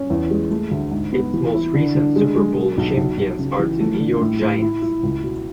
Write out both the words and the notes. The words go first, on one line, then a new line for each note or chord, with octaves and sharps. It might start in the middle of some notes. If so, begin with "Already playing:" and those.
Its most recent Super Bowl champions are the New York Giants.
Already playing: C#4
E2
G#3
A3
D2
G#2
B3
E3
E4
D3
D3
G#3
G#3
B2
B1
B1
B1
C#3
E3
A3
D3
A2
A2
E4
E4
C#2
B2